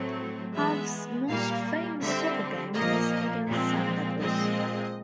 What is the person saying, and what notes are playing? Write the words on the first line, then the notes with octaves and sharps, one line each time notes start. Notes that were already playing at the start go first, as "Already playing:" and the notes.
Alves' most famous soccer game was against Santa Cruz.
Already playing: A2 F#3 A3 C4
E3 G#3 B3 E5
A#2 G3 A#3 F5
D3 G3 C4 E5
A#2 F3 A#3 D#5
A#2 F3 G#3 C4
A#2 F3 G#3 C4 D#5